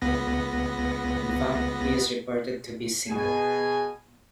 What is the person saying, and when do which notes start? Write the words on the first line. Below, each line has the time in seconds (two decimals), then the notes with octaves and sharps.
In fact, he is reported to be single.
0.02 C#2 B3 A#6
3.10 B2 G#4 G#5